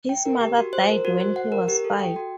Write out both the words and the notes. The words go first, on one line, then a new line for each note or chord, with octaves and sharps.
His mother died when he was five.
G5
A#4
G4
F#4
C5
A#4
F#4
C5
F#5
A#4
G4
A4
G5
F#4